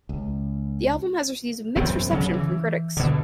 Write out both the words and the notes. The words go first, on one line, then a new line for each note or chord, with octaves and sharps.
The album has received a mixed reception from critics.
C#2
E1 F#2 B3 C4
C#3 F#3
E3
B2 D3